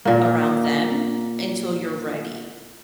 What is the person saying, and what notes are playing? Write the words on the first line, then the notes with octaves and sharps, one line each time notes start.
around them until you're ready.
A#2 A#3